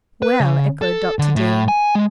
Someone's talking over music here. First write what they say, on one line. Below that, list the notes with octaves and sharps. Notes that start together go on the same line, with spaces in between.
"Well," echoed Dr. Dean.
B4
C#3
A4
D3
A2
G#5
G#3